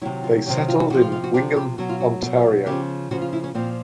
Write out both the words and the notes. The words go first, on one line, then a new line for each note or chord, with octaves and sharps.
They settled in Wingham, Ontario.
C3 D#3 F#3 E4
F4
C3 D#3 F#3 G4
F#4
F4
F#4
C3 F3 F#4
F4
F4
F#4
C3 F3 G4
G4
B2 F#3 F#4
F4
F#4
B2 F#3
C#3 F3 G4
C#3 F3 F#4
F4
E4
C#4
A#2 F3 C4